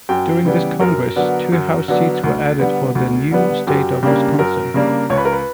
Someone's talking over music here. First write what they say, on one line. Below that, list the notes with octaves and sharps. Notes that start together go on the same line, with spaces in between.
During this congress, two House seats were added for the new state of Wisconsin.
F#2 G5
C#3 E3 G3 B3
F#2 A#4
D3 F#3 B3 D4
F#2
D3 F#3 B3 D4
D2
D3 G3 B3
D2
D3 G3 B3
F#2 G4
C#3 G3 A#3 D4 G4
F#2 A#4
C#3 G3 A#3 D4
C#2 C#5
B4
A#4
B4